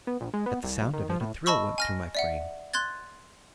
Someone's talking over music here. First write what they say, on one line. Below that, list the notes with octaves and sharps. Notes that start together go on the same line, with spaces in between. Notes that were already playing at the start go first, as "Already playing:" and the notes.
At the sound of it, a thrill went through my frame.
B3
A#1
G#3
B3
C2
B1
D#3
F3
A2
D#5 A5 B5 C#6 E6
G#5 F6 A#6
D5 E5 F#5
C6 F#6 G#6 A6